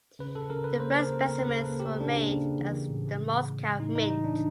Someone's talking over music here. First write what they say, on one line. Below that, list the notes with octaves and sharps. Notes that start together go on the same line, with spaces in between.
The first specimens were made at the Moscow Mint.
C#3 B4
A4
C#3 A#4
B4
A#3 C5
A#4
C#3
A#4
C#3 B4
A4
A#3
G4
C#3 D4
C#3
E3
A2
G#3
A2
A2 D#4
D#4
E3 D#4
D4